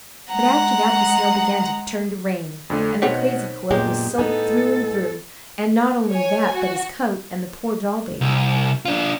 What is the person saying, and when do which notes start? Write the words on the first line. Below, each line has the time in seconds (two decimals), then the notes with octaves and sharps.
But after that the snow began to turn to rain, and the crazy quilt was soaked through and through: and not only that, but his coat and the poor doll-baby.
0.30 G#3 F#5 A#5
2.70 F2 D3 A3
3.02 B2 D#3 C4 C#5 F#5 B6
3.71 F#2 A#2 G#3 B3 G4 G6
4.18 A2 B3 D#4 A4 G#5
6.10 C#5 G#5
6.52 F#4
8.21 C2
8.85 D4 F4